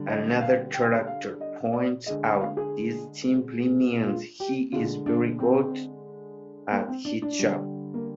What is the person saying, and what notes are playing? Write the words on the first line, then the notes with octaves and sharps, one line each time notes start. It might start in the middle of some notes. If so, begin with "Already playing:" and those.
Another character points out this simply means he is very good at his job.
Already playing: D3 G3
D#5
F5
G5
F5
D#5
D5
D3 G#3 D#5
G5
F5
G#4
F4
G4
D3 G#3 F4
D4
C4
A#3
C4
D4
D4
D3 G3
A#3